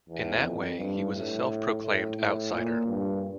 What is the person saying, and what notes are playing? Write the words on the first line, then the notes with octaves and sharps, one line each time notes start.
In that way, he was a self-proclaimed outsider.
E2
F2
G2
A2
A2
A2
A#2
G2